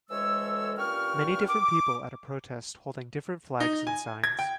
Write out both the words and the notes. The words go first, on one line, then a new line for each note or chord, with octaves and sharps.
Many different people at a protest holding different flags and signs.
D2 E3 G#3 A4 C#5 E6
G2 A#2 C#4 G5 C#6 F6
D6
D#4
G#5
G#6
G5